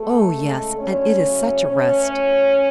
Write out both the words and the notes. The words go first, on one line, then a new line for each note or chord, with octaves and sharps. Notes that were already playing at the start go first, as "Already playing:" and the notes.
'Oh yes! and it is such a rest.
Already playing: B2 A3 A4
C#3 G#3
D3 F#3 A3 C#4 C#5
C#3 F#3 A3
B2 A3 C#4 C#5
A2 F#3 A3